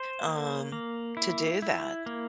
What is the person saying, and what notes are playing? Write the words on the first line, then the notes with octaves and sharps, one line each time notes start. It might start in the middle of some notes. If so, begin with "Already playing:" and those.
um, to do that,
Already playing: C5
A#3
A#3
E4
E4
A#3